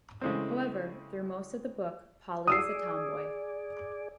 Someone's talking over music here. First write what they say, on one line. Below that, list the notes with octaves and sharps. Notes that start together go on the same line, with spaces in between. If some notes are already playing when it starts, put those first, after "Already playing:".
However, through most of the book Polly is a tomboy.
C#3 E3 G#3 A3 C4
G#4 D5 D#6 E6 C7